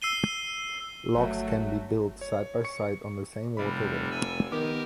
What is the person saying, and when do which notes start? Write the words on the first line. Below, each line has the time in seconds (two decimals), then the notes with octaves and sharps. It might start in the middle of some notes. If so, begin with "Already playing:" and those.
Locks can be built side by side on the same waterway.
0.02 E6 C7 D#7 G7
1.14 G1 F#3 A3
2.21 C#5
2.64 C#6 C#7
3.57 F1 C3 G3 B5
4.11 G#5 E6
4.51 D#3 B3 G4 A#4 D6